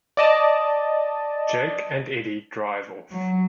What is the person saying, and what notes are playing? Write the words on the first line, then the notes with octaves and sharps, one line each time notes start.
Jake and Eddie drive off.
D5 D#5 A5
F#3